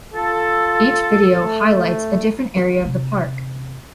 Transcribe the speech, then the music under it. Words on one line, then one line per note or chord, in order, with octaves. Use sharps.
Each video highlights a different area of the park.
F4 A4
A3
A1 C3